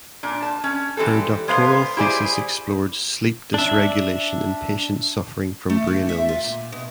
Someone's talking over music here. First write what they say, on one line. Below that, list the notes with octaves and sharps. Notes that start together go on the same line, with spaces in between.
Her doctoral thesis explored sleep dysregulation in patients suffering from brain illness.
A#2 D4
A5
C#4
E3 G3 C4 A4
G#3 B3 C5 F5
E4 G4 G#4 C5 D5
D4 E5
A3
D3
E5
F4
A#2
B2